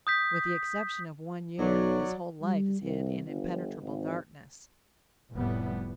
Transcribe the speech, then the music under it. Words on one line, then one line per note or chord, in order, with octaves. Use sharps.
With the exception of one year, his whole life is hid in impenetrable darkness.
D#6 G6 B6
B1 F#3 D5
G3
C2
G1
G#1
F1 A2 G3 B3